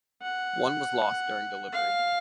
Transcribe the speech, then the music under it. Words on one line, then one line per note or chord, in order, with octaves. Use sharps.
One was lost during delivery.
F#5
F5